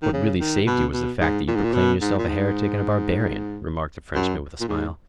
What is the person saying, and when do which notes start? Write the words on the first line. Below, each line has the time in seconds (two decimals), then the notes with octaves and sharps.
"What really saved you was the fact that you proclaimed yourself a heretic and a barbarian," remarked the Frenchman with a smile.
0.02 D#3
0.13 C#3
0.40 D#3
0.67 B2
0.93 B2
1.21 G#2
1.48 A#2
1.55 G#2
1.64 A#2
1.74 B2
2.01 G#2
2.19 A#2
2.28 G#2
4.15 F#2
4.61 A#2
4.68 G#2